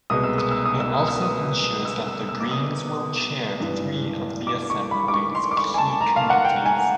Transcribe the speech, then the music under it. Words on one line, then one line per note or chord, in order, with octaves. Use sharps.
It also ensures that the Greens will Chair three of the Assembly's key committees.
C2 B2 G#3 D#6
E6
D#6
E6
D#6
E6
D#6
E6
D#6
E6
E6
E6
D6
D#6
G#1 G2 E3
D6
C#6
B5
D6
C#6
C6
D6
C#6
G#5
A5
A#5
F5
F#5
G5
G#5